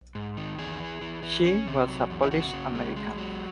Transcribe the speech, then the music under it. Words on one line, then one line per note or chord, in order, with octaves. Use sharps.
She was Polish American.
G#2
D#3
E2 G#4
E3
E3
E3
C#4
C3
F#3
E2
E4
C#3 F#4
C#3
G#3
G#3
F#3